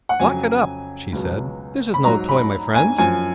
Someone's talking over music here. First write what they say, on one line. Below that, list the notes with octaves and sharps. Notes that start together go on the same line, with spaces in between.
"Lock it up," she said, "this is no toy, my friends."
F#5
F2 C#3 F#3 G#5
C#2 B2 F#3
B5
G#2 F#3 A#5
B5
G#5
F#2 F3 G#5